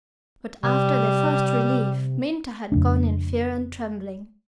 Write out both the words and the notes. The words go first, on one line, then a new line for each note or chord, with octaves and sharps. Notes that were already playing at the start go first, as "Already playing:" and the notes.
But after the first relief Minta had gone in fear and trembling.
C3 G3
F2 C#3 A3 D4